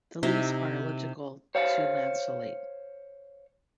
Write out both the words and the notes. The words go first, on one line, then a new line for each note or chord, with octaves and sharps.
The leaves are elliptical to lanceolate.
C3 D#4 E4 A#5
C5 C#5 F5